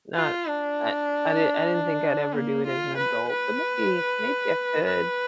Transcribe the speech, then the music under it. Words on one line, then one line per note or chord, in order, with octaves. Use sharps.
not I I did I didn't think I'd ever do it as an adult, but maybe maybe I could.
F4
D4
A#3
F4
B4
B4
B4